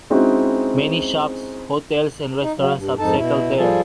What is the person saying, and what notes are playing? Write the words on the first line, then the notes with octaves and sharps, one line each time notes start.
Many shops, hotels and restaurants have settled there.
G#3 C4 C#4 D#4 E4 F#4
D#4
C#3 F#3
G2
F2 G#2 D#4 A4 A5
B2 E4
F3 G3 F4 G#4 A4